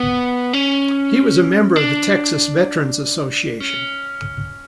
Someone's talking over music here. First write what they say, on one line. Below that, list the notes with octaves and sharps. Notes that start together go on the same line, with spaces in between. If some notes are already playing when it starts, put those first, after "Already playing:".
He was a member of the Texas Veteran's Association.
Already playing: B3
C#4
D4
C#4